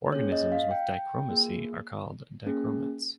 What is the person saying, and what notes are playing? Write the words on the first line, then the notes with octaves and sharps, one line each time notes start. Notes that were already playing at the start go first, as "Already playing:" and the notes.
Organisms with dichromacy are called dichromats.
A#3 C#4 G#4 C#5
D#5
F5
G5
A#3 F4 G#4
A#3 C#4 G#4